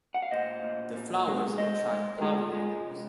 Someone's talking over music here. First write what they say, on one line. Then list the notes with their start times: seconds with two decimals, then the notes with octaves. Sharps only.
The flowers attract pollinators.
0.14 F#5
0.22 F5
0.31 A#2 C5 D#5
0.63 A#2
0.95 A#2
1.26 G#3
1.58 G#3 C5 D#5
1.91 G#3
2.18 A#4
2.22 G#3 F4 G#4
2.54 G#3
2.86 C3